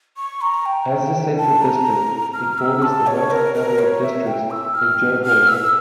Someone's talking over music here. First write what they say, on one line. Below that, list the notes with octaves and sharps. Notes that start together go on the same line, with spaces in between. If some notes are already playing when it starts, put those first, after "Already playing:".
As the central district, it borders the most number of districts in Johor.
C#6
A#5
G5
A5
A#5
F6
E6
A5
C#5
A#4
A#4
C#5
E5
G5
E6
F6
F6
E6